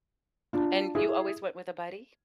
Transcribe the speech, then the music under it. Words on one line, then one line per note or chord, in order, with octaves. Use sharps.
And you always went with a buddy?
D4 F4
E4 G#4